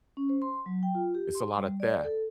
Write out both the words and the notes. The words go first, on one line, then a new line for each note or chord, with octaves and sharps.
It's a lot of theft.
C#4
C5
C6
F#3
G5
F4
G4
C6
G3
D5
A4